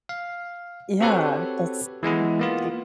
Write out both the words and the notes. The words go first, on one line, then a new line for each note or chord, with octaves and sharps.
Yeah, that's interesting.
F5
C4 F#4 G4 A4 B4 C#5
E3 G#3 B3 E4
A#3 B3 F4